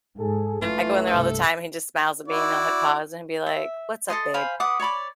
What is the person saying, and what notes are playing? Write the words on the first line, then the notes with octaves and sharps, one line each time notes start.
I go in there all the time, and he just smiles at me, and he'll hit pause and be like, "What's up, babe?"
G#2 G#4 A4
F#1 E3 A3 F4
C2 G2 C3 A4
E4 F#4 D5
E5
A4 C#5 D#5 C6
C5 F5 G#5 B5
B4 F#5 D6 D#6
C#5 D5 B5 D6